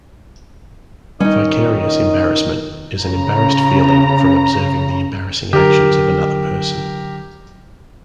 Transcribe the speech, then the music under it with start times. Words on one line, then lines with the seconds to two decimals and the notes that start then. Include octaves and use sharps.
Vicarious embarrassment is an embarrassed feeling from observing the embarrassing actions of another person.
1.20 D#3 G3 C#4 D#4 D#5
3.01 C#3 A#5
5.53 D3 F#3 G4 A#4